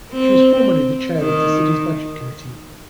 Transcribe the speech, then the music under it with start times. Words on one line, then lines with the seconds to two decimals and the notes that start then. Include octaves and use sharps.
She was formerly the Chair of the City's Budget Committee.
0.12 C4
1.18 D#3